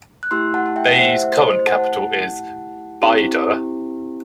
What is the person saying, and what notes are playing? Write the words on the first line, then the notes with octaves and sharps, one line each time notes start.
Bay's current capital is Baidoa.
F#6
A3 E4 G4 C6 E6
F#5 A5
A5
E5 G5
F#5
C5 E5
C5
D#5
C5
F#5 A5
C4 E4 G4